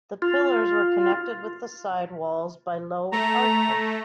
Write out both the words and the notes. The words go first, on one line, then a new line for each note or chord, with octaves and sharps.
The pillars were connected with the side walls by low arches.
F4
A3 A#5